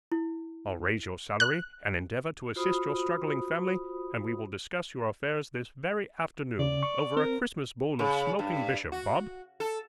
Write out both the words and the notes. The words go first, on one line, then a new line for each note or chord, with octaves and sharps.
I'll raise your salary, and endeavour to assist your struggling family, and we will discuss your affairs this very afternoon, over a Christmas bowl of smoking bishop, Bob!
E4
F#6
F4 F#4 C5 B5 D#6
C#3 D5
C#6
C4 A#4
C#3
G2
F#4
A4